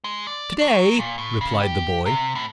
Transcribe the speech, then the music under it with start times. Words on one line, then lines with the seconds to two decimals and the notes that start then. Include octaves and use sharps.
"To-day!" replied the boy.
0.04 G#3
0.27 D5
0.61 F#3
0.99 A#2
1.18 A2
1.41 C#3
1.60 G4
2.06 C3
2.35 A2